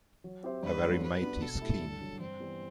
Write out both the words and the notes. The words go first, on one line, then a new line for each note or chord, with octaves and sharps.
A very matey scheme.
F#3
C4 G4 C5 E5
G2 B4
F#3 A3 C4
G3 B4
B3 D4 F#4
B2 A4
A3 E4 G4
G2
D3 F#3
G2 C4
E3 G3 B3